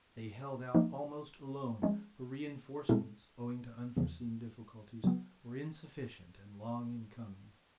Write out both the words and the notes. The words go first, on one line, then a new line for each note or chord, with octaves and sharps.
They held out almost alone, for reinforcements, owing to unforeseen difficulties, were insufficient and long in coming.
F3 A#3 D#4
F3 G#3 C#4
B2 G#3 C4 E4 A4
E2 C#3 F3
C#3 F#3 B3